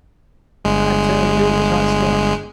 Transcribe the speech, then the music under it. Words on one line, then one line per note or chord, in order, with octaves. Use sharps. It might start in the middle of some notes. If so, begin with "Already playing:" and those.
I tell you it was hot stuff.
G1 G#3